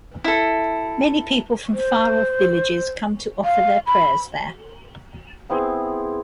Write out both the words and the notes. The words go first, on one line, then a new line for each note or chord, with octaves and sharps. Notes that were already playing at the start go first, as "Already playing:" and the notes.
Many People from far off villages come to offer their prayers there.
E4 A4
C5
F5
B5
B3 C4 E4 G#4